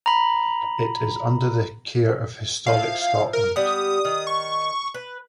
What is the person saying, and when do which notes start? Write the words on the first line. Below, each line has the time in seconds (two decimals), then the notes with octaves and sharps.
It is under the care of Historic Scotland.
0.06 A#5 B5
2.67 F3 E4 F5
3.33 A#4
3.56 G3 B3 D#6
4.05 D#3
4.27 C#6
4.94 B4